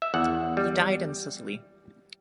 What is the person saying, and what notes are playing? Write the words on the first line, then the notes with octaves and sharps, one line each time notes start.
He died in Sicily.
E5
E2 F#5
G3